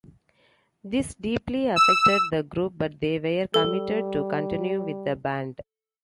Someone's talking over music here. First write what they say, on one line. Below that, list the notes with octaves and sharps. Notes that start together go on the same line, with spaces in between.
This deeply affected the group, but they were committed to continue with the band.
E6
G3 A4